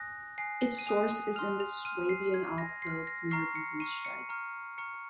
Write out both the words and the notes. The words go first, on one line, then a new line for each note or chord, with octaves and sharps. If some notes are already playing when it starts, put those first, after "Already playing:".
Its source is in the Swabian Alb hills near Wiesensteig.
Already playing: G#5 D#6 F#6 A#6
G#5 D#6 F#6 C7
D#7
G#5 D#6 F#6 F7
C6 F6 F7
F7
C6 F6 D#7
C7
C6 F6 G#6
A#6
C6 F6 C7
A#6
A#5 C#6 F6 C7
C#7
A#5 C#6 F6 D#7
C#7
A#5 C#6 F6
A#5 C#6 F6 C#7